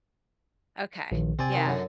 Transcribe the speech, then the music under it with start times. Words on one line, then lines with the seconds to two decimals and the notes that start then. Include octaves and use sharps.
Okay. Yeah.
1.12 A#1 D#3
1.39 C3 C4 D5 G#5
1.52 D#3 C4
1.66 F#2 D3